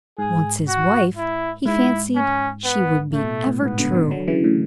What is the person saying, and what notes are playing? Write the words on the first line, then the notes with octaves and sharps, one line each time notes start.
Once his wife, he fancied she would be ever true.
G#2 G#4
F#4
E4
G#2 E4
C#4
B3
A2 A3
B2
A2
A2
G#2 B2 B3
B2 D3
B2 D3
D3 F#3
C#3 E3
A2 C#3